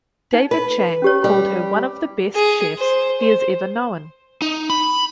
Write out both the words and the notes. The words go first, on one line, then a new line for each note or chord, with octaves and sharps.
David Chang called her one of the best chefs he has ever known.
D#4
B4
C#4 G4 C#5
G3
G#4
C5
C5
D#4
B5